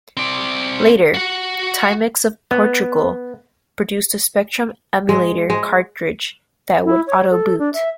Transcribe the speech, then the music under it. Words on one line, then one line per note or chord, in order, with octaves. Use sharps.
Later, Timex of Portugal produced a Spectrum emulator cartridge that would auto-boot.
C4 D5
F#4 F#5
B3
G#3
G#3
E4
C#5
A4
D4
E5